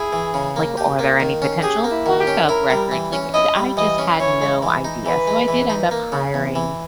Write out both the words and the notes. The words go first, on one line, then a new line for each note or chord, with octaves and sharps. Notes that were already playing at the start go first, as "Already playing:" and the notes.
like, are there any potential backup records, like, i I just had no idea, so I did end up hiring
Already playing: E4 G#4
E3
C#3
A#3
G4
A#3
D#3
C#4
G4 G#4
A#3
E4
D#3
G4
C#4
E4 A#4
G3
E3
C#4
E4 D#5
G3
E3 D#5
C#4
E3 C#5
G#3
E3
D#4
E3 B4
G#3
E3
D#4
A#3
C#3
E2
E3